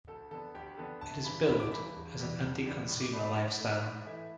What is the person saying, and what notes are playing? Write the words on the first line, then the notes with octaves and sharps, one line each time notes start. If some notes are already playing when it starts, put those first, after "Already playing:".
It is billed as an anti-consumer lifestyle.
D2 A4
D3 B3 A4
D2 G4
D3 B3 A4
G1 A5
G2 E3 B5
G1 B5
D6
G2 E3 B5
E1
E2 E3 G3
E1
E2 E3 G3
A2
D6
A3 D4 B5
B5
A2 B5
A3 D4
A2
E3 A3 E4